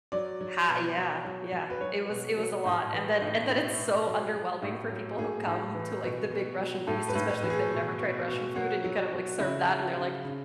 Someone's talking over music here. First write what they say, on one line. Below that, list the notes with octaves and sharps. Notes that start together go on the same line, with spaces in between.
Ha yeah, yeah. It was it was a lot, and then and then it's so underwhelming for people who come to, like, the big Russian feast, especially if they've never tried Russian food and you kind of, like, serve that and they're like,
F#3 D5
F#3
B2
F#3
F#3
F#3
B4
F#3 C#5
B2
F#3
A2
E3
A2
F#4
B2 E4
B2
F#3
F#3
A2
F#3
A2 G#4
A2
E3
B2
B2
F#3
A2 A4
B4
A2
B4
E3
G#4
B2
B2
B2
F#3 F#4
F#3
F#3
C#3 E4
F#3
C#3
C#3